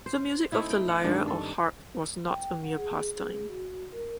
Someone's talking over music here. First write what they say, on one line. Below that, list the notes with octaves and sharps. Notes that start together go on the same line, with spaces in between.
The music of the lyre or harp was not a mere pastime.
C5
A3 C4 D#4 E4
G5
F#5
G2 D#3 G#3 D4
A4
G5
F#5
G#4
G#4
F#4
A#4